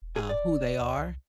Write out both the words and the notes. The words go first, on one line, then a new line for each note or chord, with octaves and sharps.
uh, who they are,
E1
G#4
D5
D2
C2